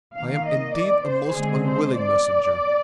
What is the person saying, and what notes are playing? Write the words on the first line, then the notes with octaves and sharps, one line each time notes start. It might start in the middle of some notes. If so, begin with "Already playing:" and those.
I am indeed a most unwilling messenger.
D#3 A#3 F5
D#5
D5
C5
D3 G#3 C4 G#4
C5
D5